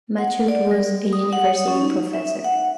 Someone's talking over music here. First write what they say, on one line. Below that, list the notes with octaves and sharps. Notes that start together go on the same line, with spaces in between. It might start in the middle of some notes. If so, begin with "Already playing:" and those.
Matute was a university professor.
F#5
D5
G3
D#6
F#5
C#5
C#4
D#4
E5
F#5